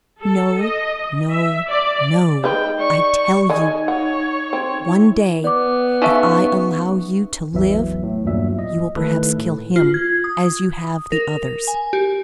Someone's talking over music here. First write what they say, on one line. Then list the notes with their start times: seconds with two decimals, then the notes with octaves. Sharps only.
"No, no, no, I tell you; one day, if I allow you to live, you will perhaps kill him, as you have the others!"
0.21 A4
0.60 D#5
1.31 E5
1.69 D5
2.44 G#3 D#4 B4 G5
2.79 D5 C#6
3.50 D#3 D#4 D#5 G#5
3.88 C#5 F#5
4.53 C4
4.86 E4
5.44 B3 D5 D6
6.02 C#3 D#4 A4 E5 C#6
7.53 A1 E2 E3 F#3 E5
8.03 A2
8.25 E2 G2 A#2 F#3 E5
8.59 D#5
8.96 D#3 A3 E4 A4 B4
9.38 A2
9.76 F4
9.94 G#6
10.24 D#6
11.12 A#4
11.68 G#5
11.93 G4